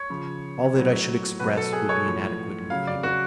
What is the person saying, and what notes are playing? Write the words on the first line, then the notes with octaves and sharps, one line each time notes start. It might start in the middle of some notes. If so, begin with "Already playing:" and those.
All that I should express would be inadequate and feeble.
Already playing: C#5
C#3 F3
A2 F#3
B2 F#3 B4
A4
G#4
C#5
A2 F3
C#3 F#3 F5
D5
F#4